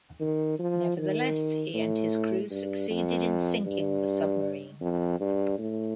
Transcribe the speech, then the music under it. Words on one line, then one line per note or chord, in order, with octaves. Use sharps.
Nevertheless he and his crew succeeded in sinking the submarine.
D#3
F3
D#3
A2
G2
F2
G2
F2
G2
A2